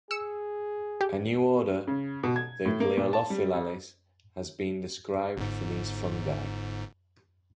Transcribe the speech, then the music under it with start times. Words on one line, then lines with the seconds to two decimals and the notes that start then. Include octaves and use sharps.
A new order, the Gloeophyllales, has been described for these fungi.
0.11 G#4 E6 C#7
1.01 G4
1.87 C#3
2.23 B2
2.36 G#6
2.66 A2
2.80 A#3
2.98 A#2
3.13 A5
3.30 G3
3.54 F2
5.37 G1 G#2